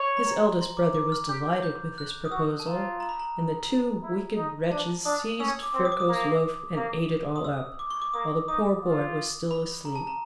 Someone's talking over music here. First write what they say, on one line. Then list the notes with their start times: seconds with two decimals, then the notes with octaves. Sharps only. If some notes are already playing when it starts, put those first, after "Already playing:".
His eldest brother was delighted with this proposal, and the two wicked wretches seized Ferko's loaf and ate it all up, while the poor boy was still asleep.
Already playing: C#5
0.17 B5
0.26 A#5
0.61 C6
0.77 D6
0.95 D6
1.12 F6
1.28 G4 G6
1.63 G6
1.98 F#6
2.25 D#6
2.31 F#4 E6
2.60 A5
2.66 F4 A#5
3.00 A#5
3.09 B5
3.19 A#5
4.03 E4
4.36 D#4
4.71 D4 A5
5.05 D4 D#6
5.40 C#4 E6
5.63 D6
5.74 C4
5.85 D#6
5.92 D6
6.00 D#6
6.08 A#3
6.76 A#3
7.36 D#6
7.44 E6
7.79 D6
7.91 C#6
8.02 D6
8.14 A#3 D#6
8.47 D#4 D#6
8.82 F4
9.51 B5
9.85 A#5
9.95 A5
10.07 A#5